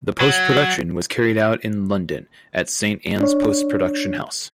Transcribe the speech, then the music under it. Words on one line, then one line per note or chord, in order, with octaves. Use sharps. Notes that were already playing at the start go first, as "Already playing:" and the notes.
The post production was carried out in London at Saint Anne's post production house.
F#3
D4 C#5